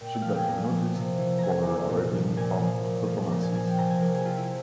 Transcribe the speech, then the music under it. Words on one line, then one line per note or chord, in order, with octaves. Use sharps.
She got noticed for her Arabian pop performances.
A#2 G5
E5
F3 F5
G5
G#5
A#2 A#5
F3
C3
E3
C3 G#5 A#5
E3
A#2
F3
A#2 G#5
F3
A#2
F3
A#2 A#5
G#5
F3 G#5
G5
C3 A#5
G#5
F3 A#4
G#4
C3 F4 G4
E4